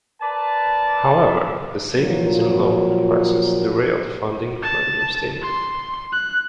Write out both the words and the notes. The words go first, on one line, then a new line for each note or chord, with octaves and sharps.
However, the savings and loan crisis derailed funding for a new stadium.
A#4 B4 D5 A5
A#2 F3 F#3 F4 A#4
A5
C6
F#6